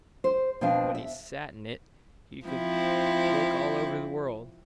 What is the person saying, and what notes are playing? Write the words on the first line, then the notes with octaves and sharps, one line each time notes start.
When he sat in it he could look all over the world.
C5
B2 F3 C4 D4 F5
E5
F3 C4 E4